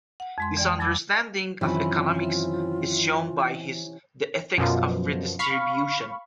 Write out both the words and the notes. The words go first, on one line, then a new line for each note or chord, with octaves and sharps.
This understanding of economics is shown by his "The Ethics of Redistribution".
F#5
F2 G#3 C6
E3 D5 G5
F2 F#3 B5 D6 E6 A6
F#2 C3 D#3 E3 C#4 F4 B5
F#2 B2 F3
F5 B5 C#6